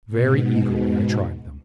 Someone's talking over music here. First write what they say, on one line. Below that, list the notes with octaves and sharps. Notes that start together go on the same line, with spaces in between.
Very eagerly I tried them.
G#2 B2